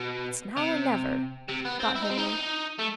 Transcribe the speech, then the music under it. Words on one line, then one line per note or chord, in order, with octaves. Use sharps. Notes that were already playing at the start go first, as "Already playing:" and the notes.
"It's now or never," thought Henry.
Already playing: B2
C3
C3
B3
C4
E4
D#4
C4
D#4
A3